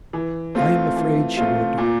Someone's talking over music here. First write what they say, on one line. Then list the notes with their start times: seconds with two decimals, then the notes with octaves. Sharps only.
'I'm afraid she would.
0.13 E3
0.55 A3 C4 F4
0.96 E3
1.37 A3 C4 F4
1.78 A#2